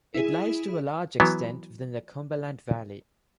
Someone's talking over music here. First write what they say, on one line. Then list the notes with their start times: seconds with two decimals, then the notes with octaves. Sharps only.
It lies to a large extent within the Cumberland Valley.
0.14 E4 G#4
1.20 E3 F#3 B3